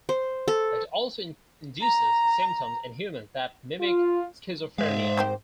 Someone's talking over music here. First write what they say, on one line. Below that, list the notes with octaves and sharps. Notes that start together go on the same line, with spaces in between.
It also induces symptoms in humans that mimic schizophrenia.
C5
A4
A#5
F4
G#2 G#3 C5 E5 F5
D#3 C4 G4